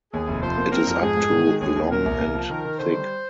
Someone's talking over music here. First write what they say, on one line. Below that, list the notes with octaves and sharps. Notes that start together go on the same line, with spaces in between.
It is up to long and thick.
D#2 G#4
F1
F3 C5
A#3
C4 A#4
F2
G#2 G#4
G#2
D#3
G#3
D#2 G#4
D#2
A#2 A#4
C2
A#3
F3
D#3 A#4
D#3
D3 C5
G3